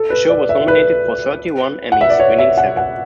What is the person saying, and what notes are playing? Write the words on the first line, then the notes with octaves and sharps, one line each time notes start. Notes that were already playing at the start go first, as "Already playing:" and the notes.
The show was nominated for thirty-one Emmys, winning seven.
Already playing: A4
B4
D5
E5
B4
F#5
E5
D5
C#5
E5
F#5
F#5